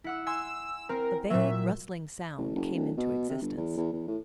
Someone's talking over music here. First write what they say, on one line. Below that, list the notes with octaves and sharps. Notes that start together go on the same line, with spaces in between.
A vague rustling sound came into existence.
E4 F#5 E6
G#5 C6 E6
C4 A#4
A#2 F#3 E5
A1
F#1
D1
B2
C3
G1
E2
E2
E2
A2